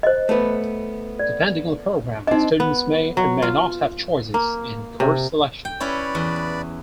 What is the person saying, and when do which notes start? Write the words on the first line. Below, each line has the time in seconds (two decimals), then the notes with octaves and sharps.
Depending on the program, students may or may not have choices in course selection.
0.03 C5 D#5
0.29 A3 B3 B4
1.19 D5
2.27 C4 D4 D#4 D#5
2.60 B3
3.17 F#3
3.42 F4
4.34 A#3
5.00 C3
5.65 G5
5.80 C#4 E4 B4 C#5 D5
6.15 E2